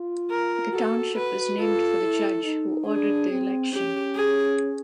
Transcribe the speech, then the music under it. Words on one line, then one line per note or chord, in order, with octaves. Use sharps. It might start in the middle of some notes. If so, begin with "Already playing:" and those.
The township is named for the judge who ordered the election.
Already playing: F4
A#4
F#4 A4
F#4 B4
F4 A4
E4
D#4
D4 G#4
C4
C#4 G4
G#4